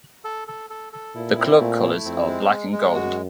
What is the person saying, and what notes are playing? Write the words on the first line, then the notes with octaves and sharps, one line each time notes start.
The club colors are black and gold.
A4
A4
A4
A4
A#2 E4
C4
A#2 A3
E4
F2 C4
G#3
G#3
G#3
F#2 F#4